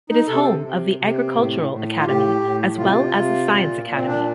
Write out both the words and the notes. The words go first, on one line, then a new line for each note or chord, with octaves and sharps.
It is home of the Agriculture Academy as well as the Science Academy.
D#4
C3 A4
C3
C3
A2
A2
F4
A2 G4
A2
C3 F4
C3
A#2
A#2
C4
D4